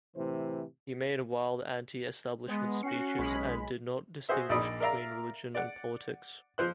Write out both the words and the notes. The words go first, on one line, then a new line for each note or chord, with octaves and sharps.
He made wild anti-establishment speeches and did not distinguish between religion and politics.
A2 C3 E3 C5
G#3 B3
C#4 F#4 C7 C#7
B1 G#3 B5
F#4 G#4 C5 E5
A#1 D#4 D5 D#5 B5 D#6
A#4 D5 E5 F5 A#5
D5 F#5
F3 C5 F#6